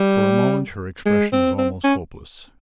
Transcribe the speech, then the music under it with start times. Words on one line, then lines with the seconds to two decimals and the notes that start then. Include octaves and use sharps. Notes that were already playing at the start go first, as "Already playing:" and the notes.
For a moment her expression was almost hopeless.
Already playing: G3
1.06 G#3
1.32 C4
1.58 C4
1.84 C#4